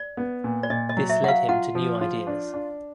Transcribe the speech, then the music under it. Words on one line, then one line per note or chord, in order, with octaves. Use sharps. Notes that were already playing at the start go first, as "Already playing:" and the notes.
This led him to new ideas.
Already playing: D5
B3
A#2
D5
A#2 D#5
D#5
F#3
E5
F#3 F#5
F5
F4 F#5
F3
F4
D4
D4